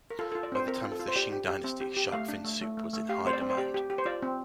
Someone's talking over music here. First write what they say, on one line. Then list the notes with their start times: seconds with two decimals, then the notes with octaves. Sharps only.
By the time of the Qing dynasty, shark fin soup was in high demand.
0.10 A#4
0.19 F4 A4
0.32 A4
0.35 F4
0.43 D5
0.52 C4 C5
0.68 C4 A#4
0.83 F4
0.92 A4
1.00 F4
1.08 C5
1.16 G4 D5
1.32 G4
1.48 G4
1.64 C4
1.81 G4
1.97 G4
2.12 A3 F5
2.28 D4
2.44 A3
2.61 A3
2.77 A3
2.93 A3
3.09 G4 F5
3.25 C4 C5
3.33 D5
3.41 C4
3.50 C5
3.58 G4 D5
3.74 G4
3.90 G4
3.98 C5
4.05 F4 D5
4.22 C4